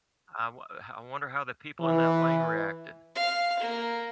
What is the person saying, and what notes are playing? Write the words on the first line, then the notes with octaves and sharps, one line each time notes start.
I wo how I wonder how the people in that lane reacted.
E3
F5
A#3